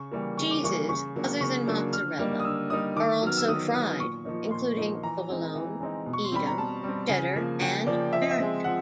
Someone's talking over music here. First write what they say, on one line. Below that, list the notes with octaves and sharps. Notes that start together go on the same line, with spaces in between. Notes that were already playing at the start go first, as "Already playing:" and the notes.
Cheeses other than mozzarella are also fried, including provolone, Edam, cheddar, and American.
Already playing: C#3 C#6
E3 G3 A#3
C#3 C#6
D6
E3 G3 A#3 C#6
C#3 C#6
F#3 A#3 D4
C#3 C#6
F#3 A#3 D4
D3 F6
G3 A#3 D#4
D#6
D3 E6
G3 A#3 D#4 D#6
D#3 D6
F#3 B3 F6
E6
D#3 D#6
F#3 B3
A#2 C#6
F3 A#3 D#4
A#2 C6
F3 A#3 D#4
E3 A#5
G#3 C4 D#4
E3
G#3 C4 D#4
B2
C#6
C6
G3 C4 B5
A#5
B2 A5
G3 C4
C#3 G#5
F3 A#3
C#3 G5
F3 A#3 D5
F3 E5
D#5
E5
G#3 C4
F3 F#5